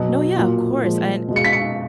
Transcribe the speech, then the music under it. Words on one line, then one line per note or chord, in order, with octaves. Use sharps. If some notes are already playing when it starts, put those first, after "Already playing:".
No, yeah, of course and
Already playing: B2 F#3
A#2 F#3
A#2 F3 G#3
B2 G#3
C#7
B6
C#7